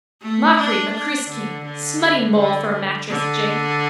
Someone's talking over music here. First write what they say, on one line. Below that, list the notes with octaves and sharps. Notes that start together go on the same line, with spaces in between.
Machree, macruiskeen. Smutty Moll for a mattress jig.
A3
D4
D4
D3
D3
D3
D3